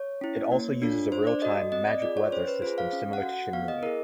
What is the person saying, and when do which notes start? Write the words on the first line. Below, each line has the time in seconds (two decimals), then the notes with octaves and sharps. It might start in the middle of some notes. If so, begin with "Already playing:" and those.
It also uses a real-time "Magic Weather" system similar to "Shenmue".
Already playing: C#5
0.21 C#4 E4
0.52 A#3
0.82 D4 F4 A4
1.11 D4 C5
1.27 D5
1.42 F#4 A4 D#5
1.72 C4 D#5
1.87 D5
2.02 F4 G#4 D5
2.17 C#5
2.32 C#4 C5
2.47 B4
2.62 F4 G#4 C5
2.78 F5
2.92 C#4 F5
3.13 F#5
3.23 F#4 A4
3.33 F#5
3.53 B3 F5
3.68 D#5
3.82 E4 G#4 A#4